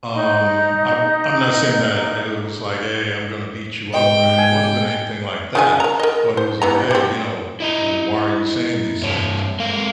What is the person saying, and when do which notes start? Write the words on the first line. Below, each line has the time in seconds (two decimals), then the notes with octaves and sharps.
Um, I'm I'm not saying that I, uh, was like, "Hey, I'm gonna beat you up," or anything, it wasn't anything like that, but it was like, "Hey, you know, w why are you saying these things?"
0.14 D#4 D#5
3.93 G#2 D#5 G5
4.38 G#5
5.55 C#3 F3 G#5
5.80 A#4 A#5
6.00 A#4 D#5
6.37 C5
6.62 E3 B3 A#5
6.91 G3 C4
7.60 E4 D#5 A#5
9.02 G2 C#5 A5
9.60 G#3 C4 A#4 F5